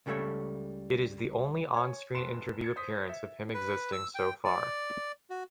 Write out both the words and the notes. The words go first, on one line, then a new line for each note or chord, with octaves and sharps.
It is the only on-screen interview appearance of him existing so far.
C#2 C#3 G3 A3 A4 C#5
C#5 G#5
F1 B4 C6 E7
G#6 A6 C#7
C5 D#6 B6
E5
B4
E6
G5
D5
F#4